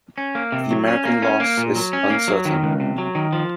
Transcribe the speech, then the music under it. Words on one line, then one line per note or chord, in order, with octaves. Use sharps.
The American loss is uncertain.
C#4
A#3
C3
F#3
C#4
A#3
C#4
A#3
A#2
F#3
C#4
A#3
F#3
D#3
C#2
C3
F#3
D#3
F3